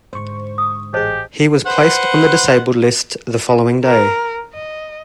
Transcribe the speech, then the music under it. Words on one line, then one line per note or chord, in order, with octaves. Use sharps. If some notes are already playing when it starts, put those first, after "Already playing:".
He was placed on the disabled list the following day.
G#2 D3 C5 C#6
D#6
A1 G4 G#4 C5 D#5 A5
B4 C5 F#5
A#4
D#5